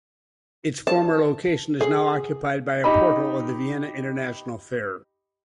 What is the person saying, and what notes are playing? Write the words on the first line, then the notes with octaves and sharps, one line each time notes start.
Its former location is now occupied by a portal of the Vienna International Fair.
A5
G#4
D#4 G4 D#5 B5